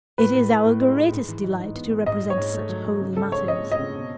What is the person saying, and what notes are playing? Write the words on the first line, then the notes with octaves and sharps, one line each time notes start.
It is our greatest delight to represent such holy matters....
A2 B4
A2
A2
A2
G#3
G#3
G#2
E3
G#2
D#4
B3
G#2
G#2 D#5
G#2
C#5
G#2
A3
F#3
G#2
C#3
C#3 A4
G#3 C#5
C#3 D#5
G#3
D#5
C#3
B2